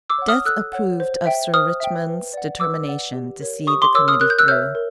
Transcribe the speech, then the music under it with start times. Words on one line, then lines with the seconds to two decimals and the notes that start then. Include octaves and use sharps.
Death approved of Sir Richmond's determination to see the Committee through.
0.10 D6 E6
0.18 C#5 F#5
0.28 D#6 F6
0.45 A4 E6 F#6
0.73 C#5 F#5
1.00 C5
1.26 E5 G5
1.54 C5 D#6 F6
1.80 E5 G5
2.07 B4
2.34 D5 F#5
2.60 B4 D6 E6
2.87 D5 F#5
3.13 G4
3.41 A#4 C#5
3.67 G4 C#6 D#6
3.82 C6 D6
3.94 A#4 C#5 D6 E6
4.08 D#6 F6
4.21 A#4 F#6
4.30 G6
4.39 E6 F#6
4.48 C#5 E5 F6 G6
4.75 A#4